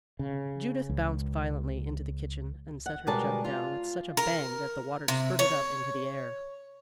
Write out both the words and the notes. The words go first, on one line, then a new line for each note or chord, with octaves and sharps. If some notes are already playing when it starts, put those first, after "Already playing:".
Judith bounced violently into the kitchen and set her jug down with such a bang that the water spurted up into the air.
C#3
C#2
F#5
B2 G3 G#3 A#4 D5 A5
F4
A#4
C3
C#5